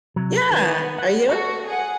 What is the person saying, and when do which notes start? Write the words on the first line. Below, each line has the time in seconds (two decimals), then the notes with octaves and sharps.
Yeah, are you?
0.16 C3 F#3
0.51 D#3 B3
0.98 F#5
1.29 F#4 A4
1.67 G#4 F#5